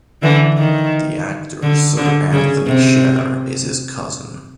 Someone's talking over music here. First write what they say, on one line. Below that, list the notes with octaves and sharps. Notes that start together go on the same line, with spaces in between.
The actor Sir Antony Sher is his cousin.
D3 E3
D#3
D3
D3
C#3
C3